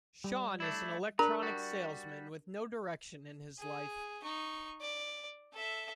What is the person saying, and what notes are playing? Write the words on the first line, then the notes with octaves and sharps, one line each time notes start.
Shaun is an electronics salesman with no direction in his life.
G3
A3 D4 E4
D4 A#4 B4 A#5
G3 F#4
G#4
D#4 C#6
D5
A4 E5